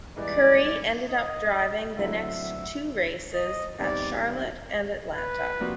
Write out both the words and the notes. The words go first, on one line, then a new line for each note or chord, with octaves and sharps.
Currey ended up driving the next two races at Charlotte and Atlanta.
G#2 E3 G3 B3 D#4 D5
D#5
D3 F#3 A3 C4 E4 E5
D#5
E2 C3 D#3 G3 C4 D5
B4
C3 F3 A#3 D4 F#4